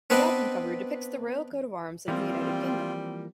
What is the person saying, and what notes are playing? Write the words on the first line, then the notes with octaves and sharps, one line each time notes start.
The album cover depicts the Royal coat of arms of the United Kingdom.
B3 C4 D4 B4 D#5
E3 F3 G3 A#3 C4 F4